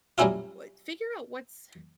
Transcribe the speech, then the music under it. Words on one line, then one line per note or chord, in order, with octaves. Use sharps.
what figure out what's
F#3 G3 A3 C#4 E4 F4